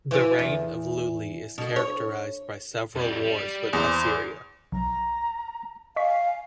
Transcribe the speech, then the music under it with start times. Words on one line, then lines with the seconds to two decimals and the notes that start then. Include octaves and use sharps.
The reign of Luli is characterized by several wars with Assyria.
0.11 E3
0.39 E2
1.58 B2
1.76 C#5
2.95 F2 G3
3.23 G3
3.73 E2 C5
4.72 B1 A#5
5.96 D#5 F5 G#5 C#6 B6